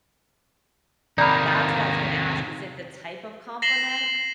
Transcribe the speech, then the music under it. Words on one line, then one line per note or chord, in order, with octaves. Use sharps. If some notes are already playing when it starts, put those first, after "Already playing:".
that's what I was gonna ask, is it the type of compliment
C3 D#3 A#3 D#4 D5 A#5 B5
A#6 C7 E7 F#7 G7